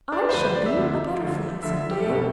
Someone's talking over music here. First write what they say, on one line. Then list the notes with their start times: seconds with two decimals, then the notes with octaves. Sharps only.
"I shall be a Butterfly some day!"
0.12 D4
0.29 C5
0.33 D2 D3 F3 B4
0.44 C5
0.55 D5
0.66 E5
0.77 D2 D3 F3
1.20 D2 D3 F3
1.62 D2 D3 F3 E5
1.77 E5
1.91 G4
1.99 A4
2.05 C2 G4
2.10 B2
2.15 A4